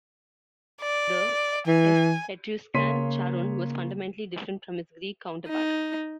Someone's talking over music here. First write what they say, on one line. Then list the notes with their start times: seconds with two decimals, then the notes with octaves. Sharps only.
The Etruscan Charun was fundamentally different from his Greek counterpart.
0.82 D5
1.67 E3 G#5
2.74 C#3 A#3 C#5 C6 B6 D#7
5.48 D#4